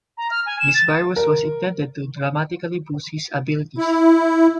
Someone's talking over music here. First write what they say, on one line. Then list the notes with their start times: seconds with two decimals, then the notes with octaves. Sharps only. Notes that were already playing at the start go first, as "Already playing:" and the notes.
This virus was intended to dramatically boost his abilities.
0.18 A#5
0.30 F6
0.46 G#5
0.60 E7
0.74 A6
1.16 A#4
3.78 E4